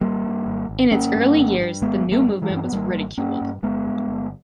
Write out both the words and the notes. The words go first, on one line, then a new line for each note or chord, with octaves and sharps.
In its early years the new movement was ridiculed.
G#1 G3 A#3
G2
G#1
G#1
G#1 A#3 C#4
G2
G#1
G2
G#1 G#3 B3
G#1
G3 A#3
G2
E3 G#3
G2
C#4
B3
G#1 G3 A#3
G#1
G2 A#3 C#4
G2
G1 G#3 B3
G2
G1